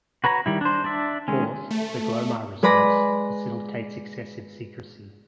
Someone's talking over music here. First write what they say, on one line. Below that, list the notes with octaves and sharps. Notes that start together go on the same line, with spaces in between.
Fourth, the Glomar response facilitates excessive secrecy.
F#4 B4 C#5 A#5
D#3 G3 E4
D4 C5
D4 D5 E5
D#3 G#3 C#4
A3
G#3 B4 D5 B5 A#6